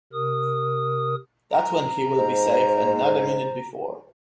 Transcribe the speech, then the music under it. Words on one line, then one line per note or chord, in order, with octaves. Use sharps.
That's when he'll be safe and not a minute before.
C3 A#4 D#6
A#5
G#2 C5